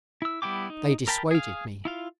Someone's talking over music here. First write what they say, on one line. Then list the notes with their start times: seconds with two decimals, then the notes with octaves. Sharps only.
They dissuaded me.
0.22 E4 E6
0.42 G3 B3 E4 G5 D6
0.70 D#4
1.08 A#4 G5 A5 B5
1.31 G#4 F5
1.85 E4 F4 F5